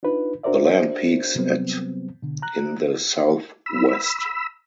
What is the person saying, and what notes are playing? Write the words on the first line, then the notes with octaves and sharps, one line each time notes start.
The land peaks at in the south west.
D4 D#4 F4 B4
D4 F#4 A#4 C5 D5 E5
C3 F#3 G3 B3 C4
B2 D3
A#5 F#6
B5 E6